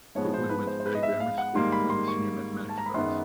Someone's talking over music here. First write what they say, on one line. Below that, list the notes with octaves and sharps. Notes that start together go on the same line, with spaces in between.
Foote Wood went to Bury Grammar School, winning the Senior Mathematics prize.
G#2 F3 G#3 B3 C#5
C5
B4
C5
C5
B4
D#5
E5
F5
F#5
G#2 D#3 G3 A#3 C6
B5
C6
C#6
A5
A#5
B5
F#2 D#3 G#3 B3 C6